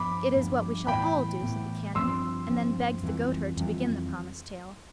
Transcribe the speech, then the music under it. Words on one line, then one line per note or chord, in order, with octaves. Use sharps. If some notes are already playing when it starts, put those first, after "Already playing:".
"It is what we shall all do," said the canon; and then begged the goatherd to begin the promised tale.
Already playing: G2 F3 B3 B5 D6
G2 F3 B3
A2 E3 B3 G5 B5
A2 E3 B3
G2 F3 C4 C6 E6
G2 F3 C4
F2 E3 G3
F2 E3 G3